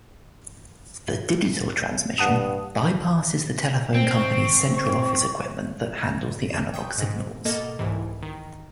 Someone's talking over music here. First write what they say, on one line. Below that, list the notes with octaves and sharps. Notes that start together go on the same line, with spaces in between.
The digital transmission bypasses the telephone company's central office equipment that handles analogue signals.
G2 F#5 A5 D#6
C4
C#6
G5 C#6 D#6 G6
G#2
B2 A#3 A4 D#5 A6
C2 G#2 E3
D#3